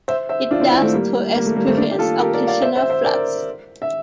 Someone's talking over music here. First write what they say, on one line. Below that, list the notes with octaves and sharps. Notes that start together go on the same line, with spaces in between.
It does though experience occasional floods.
C5 E5
C5 E5
D4 F4
C4 E4
C4 E4
A3
G3 A#3
G3 A#3
A3
G3 A#3
A3 C4
A#3 D4
G4
F4 A4
G4 A#4
A#4 D5
D5 F5
C5 E5
C5 E5
C5 E5
A#4 D5
E5